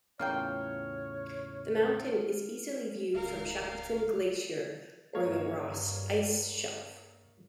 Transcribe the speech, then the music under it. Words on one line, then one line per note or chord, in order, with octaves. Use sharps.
The mountain is easily viewed from Shackleton Glacier or the Ross Ice Shelf.
E2 A2 C#3 A#3 F4 C#5 G5 F6
D1 C#2 A#4 F5
G2 A#3 C#5 F5